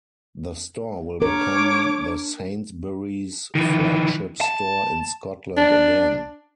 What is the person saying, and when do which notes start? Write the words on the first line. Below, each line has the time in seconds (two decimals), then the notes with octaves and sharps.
The store will become the Sainsbury's flagship store in Scotland again.
1.22 D4 A#4 C#5 D6
3.55 D#3 E3
4.41 A5
5.57 D4